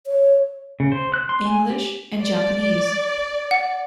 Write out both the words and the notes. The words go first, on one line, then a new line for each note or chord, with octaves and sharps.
English and Japanese.
C#5
C#3
C5
F#6
C6
G#5
G4
D5
F#5